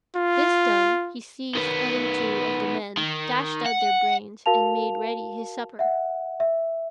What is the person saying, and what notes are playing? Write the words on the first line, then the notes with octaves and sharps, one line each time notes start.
This done, he seized other two of the men, dashed out their brains, and made ready his supper.
F4
D#3 B3
D#3
F#5
F#4 A#4 F5 A5 F7
E5 F#5
E5